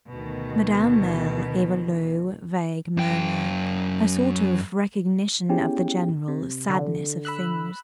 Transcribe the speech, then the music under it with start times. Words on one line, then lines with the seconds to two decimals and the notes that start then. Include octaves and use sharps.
Madame Merle gave a low vague murmur; a sort of recognition of the general sadness of things.
0.11 D2 B2 D#3
2.97 F#2 G5
5.49 B3 C#4 E4 G4 G#4 G5
6.28 C3
6.70 D3
7.25 B5 E6 F#6